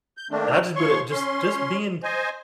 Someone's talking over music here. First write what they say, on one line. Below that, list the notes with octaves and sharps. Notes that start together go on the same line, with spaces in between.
And I just but, uh, just just being k
G6
D#3 A3 A#3 C4 D4
D#2 F3 C#5 C6 C#6
C#4 C6
C5 D#5 G#5